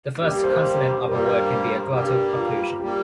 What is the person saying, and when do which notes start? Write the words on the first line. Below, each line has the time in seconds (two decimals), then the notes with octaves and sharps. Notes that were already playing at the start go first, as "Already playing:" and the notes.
The first consonant of a word can be a glottal occlusion.
0.21 G2 G3 A#3 G4
0.43 C5
0.65 G4
0.86 G4
1.03 G4
1.08 G2 G3 A#3 A#4
1.93 G2 G3 A#3 G4
2.36 F4
2.80 G3 A#3 G4